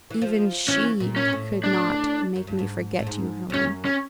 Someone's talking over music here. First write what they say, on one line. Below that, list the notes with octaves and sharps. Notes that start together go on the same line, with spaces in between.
Even SHE could not make me forget you, Helen.
E3
F3
E3 C#4
A#2
C#4
A#2
A2
D4
F#2
G2
G#2
A2
G#2
F2
F#2 C#4
C#4